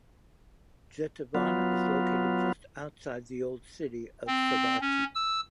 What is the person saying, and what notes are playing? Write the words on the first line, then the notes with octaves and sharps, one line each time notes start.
Jetavana is located just outside the old city of Savatthi.
F#3 B3 F4
C4
C#4
E6